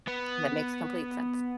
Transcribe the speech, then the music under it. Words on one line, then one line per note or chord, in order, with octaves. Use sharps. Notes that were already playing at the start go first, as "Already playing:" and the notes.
That makes complete sense.
B3